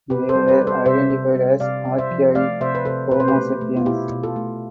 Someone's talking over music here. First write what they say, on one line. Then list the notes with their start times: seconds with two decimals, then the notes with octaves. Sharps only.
They were identified as archaic "Homo sapiens".
0.10 C3 G4 B4
0.29 A4 C5
0.35 G3
0.48 G4 B4
0.61 G3
0.67 A4 C5
0.86 C3 C5 E5
1.10 C3
1.36 G3
1.60 C3 D5 F5
1.85 C3
1.98 C5 E5
2.11 F3
2.35 A3 D5 F5
2.61 C3 C5 E5
2.75 B4
2.85 C3 A4 C5
3.11 B2 B4
3.20 C5
3.28 G4 B4
3.36 A3
3.61 A3
3.77 F4
3.86 B2 E4 G4
4.11 B2
4.23 F4 A4
4.36 A3